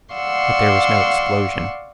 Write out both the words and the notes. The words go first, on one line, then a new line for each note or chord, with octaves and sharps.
But there was no explosion.
D5 F5 F#5 C6 C#6 E6